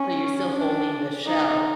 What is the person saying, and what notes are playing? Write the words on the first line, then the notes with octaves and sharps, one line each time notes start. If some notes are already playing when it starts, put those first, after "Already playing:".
So, you're still holding the shell,
Already playing: C#4
D4
D#4